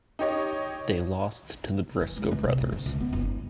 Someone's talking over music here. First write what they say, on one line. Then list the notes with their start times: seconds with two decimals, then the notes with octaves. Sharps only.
They lost to the Briscoe Brothers.
0.19 D#4 G4 C#5 D#5
2.01 E3
2.17 G#3
2.31 C#2
2.44 C3
2.61 D2
2.72 D2
2.86 C#2
3.00 B3
3.13 F#1
3.25 G2